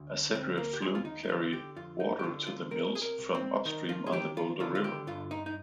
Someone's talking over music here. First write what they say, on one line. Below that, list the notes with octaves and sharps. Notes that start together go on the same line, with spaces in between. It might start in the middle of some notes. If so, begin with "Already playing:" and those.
A separate flume carried water to the mills from upstream on the Boulder River.
Already playing: D2
D2 C4
A#3
G4
D#2 G#4
F4
D#4
D#4
D3 F4
G4
F2 F4
D#4
G4
D3 F4
F4
C3 A#4
G#4
A#4
C2
C4
D#3 D#4
F4
G#4
D#3 G4
F4
D3 F4
F4
G4
G2 F4
D#4
D#4